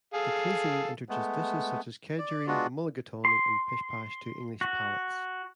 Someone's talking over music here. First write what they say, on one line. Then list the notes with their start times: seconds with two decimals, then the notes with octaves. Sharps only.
The cuisine introduced dishes such as kedgeree, mulligatawny and pish pash to English palates.
0.14 G#4 A4 F5
1.09 G#3 A3 B3
2.18 D5
2.47 G#3 B3 D4 F4 F#4
3.25 C6
4.61 F#4